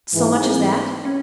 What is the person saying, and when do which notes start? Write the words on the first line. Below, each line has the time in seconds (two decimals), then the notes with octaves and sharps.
"So much as that?"
0.13 G#2 E3 G#3
0.44 C4
1.05 C#4